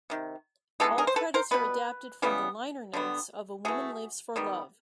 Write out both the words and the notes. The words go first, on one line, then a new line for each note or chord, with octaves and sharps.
All credits are adapted from the liner notes of "A Woman Lives for Love".
C3 D#3
E3 G#3 B3 G4 A4
G#4 A#4
C5
A4 B4
A#4 C5
B2 G3 B3 B4
C#3 E3 G3 B3
D3 G3 B3
E3 A3 F#4 G#4
D#3 G3 B3